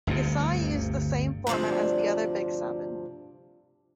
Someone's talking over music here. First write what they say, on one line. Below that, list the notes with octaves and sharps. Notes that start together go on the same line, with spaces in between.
Gosei uses the same format as the other big seven.
G1 D2 G2 C3
D2 G2 C3 F3 D4